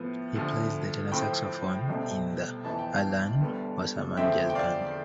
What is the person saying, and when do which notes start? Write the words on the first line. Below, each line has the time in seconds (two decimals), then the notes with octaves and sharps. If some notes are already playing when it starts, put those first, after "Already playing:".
He plays the tenor saxophone in the Alan Wasserman Jazz Band.
Already playing: A2 F3 B3
0.35 D2 D3 F3
1.12 A2 F3 C4 G5 B5
1.88 C2 B2 A3 C4
2.64 F2 E3 B3 A5
2.79 G5
2.92 F5 A5
3.40 D2 D3 G3 B3
4.17 E2 D3 F3 A3 C4 E5 G5
4.50 G5
4.55 D5 F5